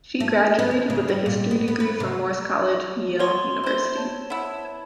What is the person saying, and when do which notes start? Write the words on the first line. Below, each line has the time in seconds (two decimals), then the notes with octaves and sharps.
She graduated with a history degree from Morse College, Yale University.
0.20 A3
0.59 B3
0.71 D#2
0.90 C#3
1.09 G3
1.26 A#2
1.51 B3
1.68 B3
1.80 B4
2.00 C3
3.19 B2 C#5 C6
3.63 E4 C5
3.96 C#5 A5
4.30 B3 E4